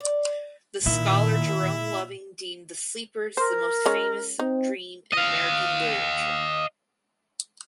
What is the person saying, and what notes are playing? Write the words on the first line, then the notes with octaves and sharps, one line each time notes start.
The scholar Jerome Loving deemed "The Sleepers" "the most famous dream in American literature".
D5
A#2 D#3 E4 E5
A#4 C5
G#3 C#4
C4 D#4
D#5 F5